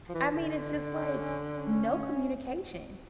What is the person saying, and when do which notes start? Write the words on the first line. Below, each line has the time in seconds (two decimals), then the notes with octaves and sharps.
I mean, it's just, like, no communication.
0.09 F3
0.14 E3
0.34 D3
0.96 C#4
1.56 C#4